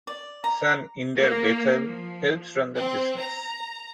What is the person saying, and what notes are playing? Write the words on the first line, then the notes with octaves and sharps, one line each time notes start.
Son Inderbethal helps run the business.
D5
A#5
A#3
F3
C4
A#5